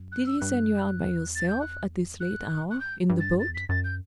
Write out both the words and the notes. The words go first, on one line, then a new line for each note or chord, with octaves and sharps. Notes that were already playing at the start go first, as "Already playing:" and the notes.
"Did he send you out by yourself, at this late hour, in the boat?"
Already playing: F#2
F#6
E6
G2 F#6
F#2
E2
A6
G6
F#6
F#2 F#6
G2
B2
F#6
G2 G6
G2
A6
F#2 A6
E2
F#2 B6
F#2 A6
G6